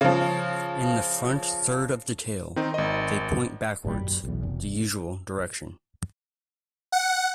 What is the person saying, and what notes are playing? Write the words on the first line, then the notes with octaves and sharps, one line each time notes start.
In the front third of the tail, they point backwards, the usual direction.
C#3 F3
D#3 C4 D#4
G#1 D#5
G#1 A#2 C#3 G3
F#2
B1 E2
F1
F#5